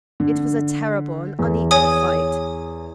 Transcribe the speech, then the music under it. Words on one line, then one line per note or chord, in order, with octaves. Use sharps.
It was a terrible and unequal fight.
D3
E2
C#5 G#5 D#6